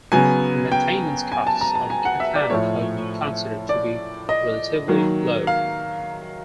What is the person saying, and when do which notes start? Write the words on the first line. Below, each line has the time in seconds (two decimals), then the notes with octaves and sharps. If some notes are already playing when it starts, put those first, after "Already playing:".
The maintenance costs of the Katana have been considered to be relatively low.
0.12 C#3 F#3 B3 G#5
0.72 G5
1.32 G#5
1.47 A5
1.61 A#5
1.75 A5
1.90 G#5
2.05 F#5
2.20 E5
2.35 D5
2.50 A2 F3 A3 C#5
3.69 D5
4.29 D#5
4.88 D#3 F#3 A#3
5.47 F5